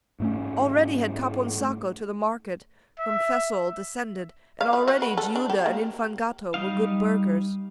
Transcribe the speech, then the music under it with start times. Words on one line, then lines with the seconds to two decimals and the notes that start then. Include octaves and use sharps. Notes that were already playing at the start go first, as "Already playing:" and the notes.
Already had Caponsacco to the Market From Fesole descended, and already Giuda and Infangato were good burghers.
0.20 G#2 A3 C#4
2.99 E5
4.61 F5
4.73 F#4
4.88 F#4
5.02 B4
5.17 A4
5.36 D4
5.50 G4
5.66 A#3
6.54 G3 D#4 F5